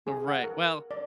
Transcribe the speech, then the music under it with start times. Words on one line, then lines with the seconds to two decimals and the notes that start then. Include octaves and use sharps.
Right, well
0.07 G#4
0.28 F#5
0.44 A#4
0.91 D5